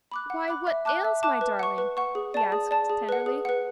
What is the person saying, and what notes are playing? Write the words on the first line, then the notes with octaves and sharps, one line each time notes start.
"Why! what ails my darling?" he asked tenderly.
B5 D6 F#6
F#5
B5 D6 F#6
E5
A5 D6 F#6
E5
A5 D6 F#6
B4
F#5 C#6
B4
F#5 C#6
G#4
D5 A5
G#4
D5 A5
G#4
B4 F#5
G#4
B4 F#5